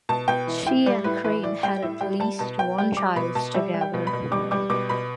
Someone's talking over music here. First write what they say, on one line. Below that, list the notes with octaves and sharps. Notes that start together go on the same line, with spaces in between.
She and Crane had at least one child together.
B2 A5
B2 G5
E3
A2 G5
G3 D5
A2 B4
E3 B4
A2 D5
G3 G5
A2 E5
G3 G5
G3 A5
B2 A5
B2 G5
G3 G5
G3 D6
B2 B5
B2 A5
G3 E5
G3
G5
B2
B5
B2
G3 D6
G3 D6
B2 D6
B2 B5